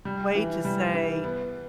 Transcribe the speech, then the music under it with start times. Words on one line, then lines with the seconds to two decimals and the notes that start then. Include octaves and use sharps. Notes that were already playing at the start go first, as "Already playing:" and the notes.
way to say
0.05 G3
0.35 E3
0.65 G3
0.94 E3
1.24 B3